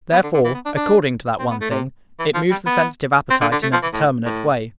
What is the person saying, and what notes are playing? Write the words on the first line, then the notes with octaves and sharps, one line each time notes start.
Therefore, according to that one thing, it moves the sensitive appetite in a determinate way.
B3
D3
D3
E3
B3
D4
D4
C4
B3
A3
C3
E3
F3
G3
B3
C4
D3
D3
A3
F3
E3
A2
A2